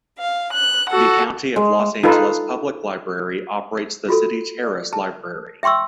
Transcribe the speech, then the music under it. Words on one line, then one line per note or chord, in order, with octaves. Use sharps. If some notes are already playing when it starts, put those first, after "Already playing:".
The County of Los Angeles Public Library operates the City Terrace Library.
F5
F#6
F#4 A4 F#5
G#3
D#4 F4 A4 B4
F4 F#4 A4
D5
A5
E5 G5 C6 C#6 E6